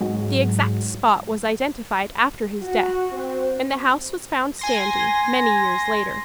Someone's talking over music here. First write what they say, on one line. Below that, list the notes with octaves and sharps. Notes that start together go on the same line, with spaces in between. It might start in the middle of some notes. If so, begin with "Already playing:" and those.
The exact spot was identified after his death, and the house was found standing many years later.
G#2 F#3 G#3
F#4
C4
G#5 C6 A#6